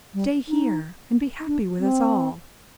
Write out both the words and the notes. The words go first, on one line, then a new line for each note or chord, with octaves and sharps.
Stay here and be happy with us all.
G3
D#4
D4
C4